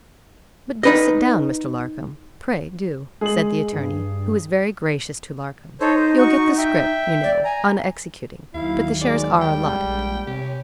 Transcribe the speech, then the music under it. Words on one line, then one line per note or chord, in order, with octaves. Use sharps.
'But do sit down, Mr. Larcom--pray do,' said the attorney, who was very gracious to Larcom. 'You'll get the scrip, you know, on executing, but the shares are allotted.
D#4 B4 D#5
G#3 G#4 F#7
G2
D#4 A4 C5 C#5
C5
F#4 C#6
E5 G5
D5
G#5 A#5
D#2 D#3 F#3 E4 F5
G#3 D5
G3 G#3 G5
A#1
C3 G4 C#5 G#5 B5